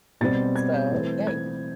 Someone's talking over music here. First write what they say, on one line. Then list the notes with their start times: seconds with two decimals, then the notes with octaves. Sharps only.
so, yeah, you could
0.21 B2 G3 C4 A6
0.56 G#6
0.73 G6
0.92 E3 A3 C4
1.27 G#6